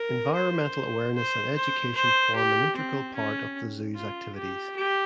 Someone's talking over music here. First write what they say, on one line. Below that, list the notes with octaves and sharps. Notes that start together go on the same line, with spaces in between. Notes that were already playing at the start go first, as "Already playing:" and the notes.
Environmental awareness and education form an integral part of the zoo's activities.
Already playing: A#4
C5
C5
C5
C5
G4
C4
C#4
F4
G4
G4